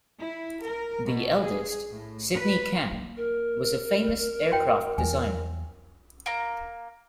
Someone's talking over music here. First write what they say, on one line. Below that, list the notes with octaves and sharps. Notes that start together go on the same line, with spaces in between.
The eldest, Sydney Camm, was a famous aircraft designer.
E4
A#4
B2
G#4
A2
B4
A#3
A#4
C4
F2 F#4 C#5 G5
E2 G3 G#5
A#3 A#5